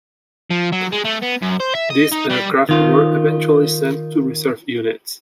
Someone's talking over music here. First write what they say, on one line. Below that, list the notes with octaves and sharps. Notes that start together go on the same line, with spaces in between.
These aircraft were eventually sent to reserve units.
F3
F#3
G#3
A3
B3
F#2
C5
E5
D#5
D#4
G3
D#3 F4